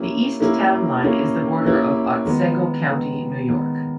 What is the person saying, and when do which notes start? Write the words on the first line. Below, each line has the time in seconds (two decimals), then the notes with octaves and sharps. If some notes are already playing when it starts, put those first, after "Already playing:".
The east town line is the border of Otsego County, New York.
Already playing: A#3 C#4 E4 G4
0.40 A#3 C#4 E4 G4
1.02 A#3 C#4 E4 G4
1.64 A#3 C#4 E4 G4
2.25 D#3 G#3 B3
2.87 D#3 G#3 B3
3.48 D#3 G#3 B3